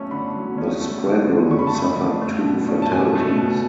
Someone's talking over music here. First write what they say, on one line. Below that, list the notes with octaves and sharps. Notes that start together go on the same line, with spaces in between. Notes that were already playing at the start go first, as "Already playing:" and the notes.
The Squadron suffered two fatalities.
Already playing: F#3 A3 C#4 C#6
D3 B5
F#3
C#4
A3
D3
F#3
C#4 C#6
B5
A5
A3 B5
D3
A3
B2
C#4
A5
B2 G#5
A3
B2